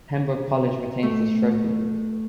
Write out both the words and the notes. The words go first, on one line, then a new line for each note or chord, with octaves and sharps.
Pembroke College retains this trophy.
A3